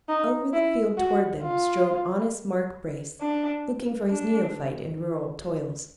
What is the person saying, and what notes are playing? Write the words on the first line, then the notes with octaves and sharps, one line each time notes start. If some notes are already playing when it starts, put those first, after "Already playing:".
Over the field toward them strode honest Mark Brace, looking for his neophyte in rural toils.
D#4
E4
F#4
F4
D4
D4